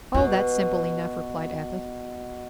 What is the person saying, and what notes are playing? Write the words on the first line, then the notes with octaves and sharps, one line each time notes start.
"Oh, that's simple enough!" replied Athos.
B2 F4